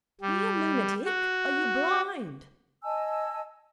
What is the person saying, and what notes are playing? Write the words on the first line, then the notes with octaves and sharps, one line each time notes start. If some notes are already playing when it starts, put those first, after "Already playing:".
Here, lunatic! Are you blind?
G3
F#4
D#5 G#5 A5 E6